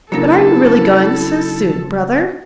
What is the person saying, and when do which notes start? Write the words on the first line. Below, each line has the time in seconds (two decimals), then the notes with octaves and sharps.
"But are you really going so soon, brother?"
0.12 C#3 F#3 A#3 D4 E4 A4 A#4